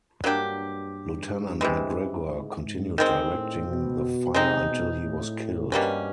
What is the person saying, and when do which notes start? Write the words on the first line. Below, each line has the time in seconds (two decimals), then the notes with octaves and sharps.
Lieutenant McGregor continued directing the fire until he was killed.
0.23 G2 F#3 A#3 D4 G4
1.61 C3 E3 G#3
2.29 G#2
2.64 G#2
2.98 D#3 G#3 C4
3.32 A2
3.66 B2
4.34 C3 G#3 C4 D#4
4.69 B2
5.04 A2
5.71 G2 B2 G3 A#3 C#4